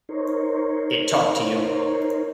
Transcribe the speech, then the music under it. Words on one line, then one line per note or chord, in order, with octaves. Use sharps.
It talked to you.
D#4 A#4 C5 C#5